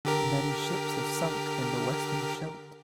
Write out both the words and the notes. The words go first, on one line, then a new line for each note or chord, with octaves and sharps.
Many ships have sunk in the Western Scheldt.
D3 G4 A#4